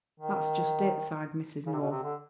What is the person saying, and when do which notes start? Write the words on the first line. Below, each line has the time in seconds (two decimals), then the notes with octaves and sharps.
"That's just it," sighed Mrs. North.
0.19 D#3
1.66 C#3
1.73 C3
1.79 B2
1.91 C3
2.03 D3